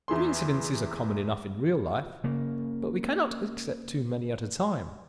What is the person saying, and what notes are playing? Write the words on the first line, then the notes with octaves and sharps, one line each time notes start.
Coincidences are common enough in real life; but we cannot accept too many at a time.
E2 E4 G#4 C6
C#3 A#3